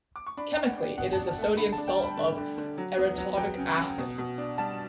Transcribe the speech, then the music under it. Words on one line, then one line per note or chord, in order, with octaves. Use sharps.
Chemically, it is the sodium salt of erythorbic acid.
D6
C#6
D4 B5
G5
D4
F#5
D4 G5
B2 F#5
A5
D4
A5
A3 A5
D3 B5
A5
D4
G5
G3
B5
D3
D3
D3
F#3
B3
F#3
F#3 G5
C#3
C#3
B2
B2
D4
G3 A5